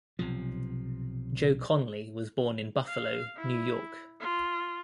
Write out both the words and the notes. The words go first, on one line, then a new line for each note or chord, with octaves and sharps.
Joe Conley was born in Buffalo, New York.
B1 C3 F3
F5
E4
F4